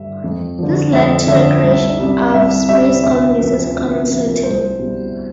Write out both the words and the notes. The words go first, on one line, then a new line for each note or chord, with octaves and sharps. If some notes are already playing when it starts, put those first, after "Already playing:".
This led to the creation of space colonies as a common setting.
Already playing: G2 D3 E5
F2
D3 F3
F2 E5
D3 F3 E5
C2
C3 G3
C2 E5
C3 G3 E5
D2 E5
C3 F3
D2
C3 F3
C2 C5
B2 G3